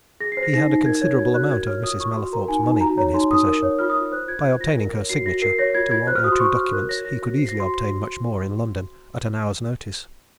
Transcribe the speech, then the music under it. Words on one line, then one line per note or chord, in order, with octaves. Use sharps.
He had a considerable amount of Mrs. Mallathorpe's money in his possession; by obtaining her signature to one or two documents he could easily obtain much more in London, at an hour's notice.
G#4 A#6
C7
C5
A#6
D#4 A#6
D#4
A#4 G#6
C#5 G#6
F#4 G#6
F#4 F#6
A#4 G#6
C#5 F6
F4 D#6
F4 C#6
F#4 C6
A#4 A#5
D#4 G#5
D#4
F#4 A#5
C#5 A#5
D#4 C6
D#4 D#6
A#4
C#5
F4 F6
D#6
F4
D#6
C5 F#6
F4 G#6
C5 G#6
F4 A#6
A#4
C#5
F#4 C7
F#4 A#6
A#4 C7
C#5 A#6
F4 G#6
F4 G#6
C5 F#6
F6
F#4 D#6
C6
C5 C#6
F#4 F6
A#4 F#6
C#5 A#6
F#4 A#6
F#4
C5 C7
A#6
F#4
C6
C5